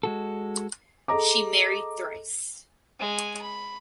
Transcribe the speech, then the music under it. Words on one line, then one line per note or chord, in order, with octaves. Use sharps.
She married thrice.
G#3 F#4 A4
G#4 A4 D#5 A#5 D6
G#3 G#5
B5